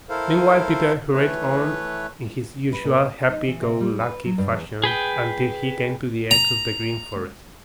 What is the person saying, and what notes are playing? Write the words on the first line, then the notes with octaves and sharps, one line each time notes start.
Meanwhile Peter hurried on in his usual happy-go-lucky fashion until he came to the edge of the Green Forest.
E4 A4 A#4 C5 F5
E3 A3 B4 C#5
B4
A#2
B2
D5
D#4
E3
C3
G3
B4
F#3
G2
E2
G#4 B4 G5
A#5